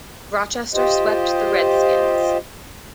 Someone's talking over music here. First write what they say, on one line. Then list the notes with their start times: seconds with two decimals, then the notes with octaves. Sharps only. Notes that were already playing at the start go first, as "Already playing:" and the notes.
Rochester swept the Red Skins.
0.74 F4 G4 C5 D#5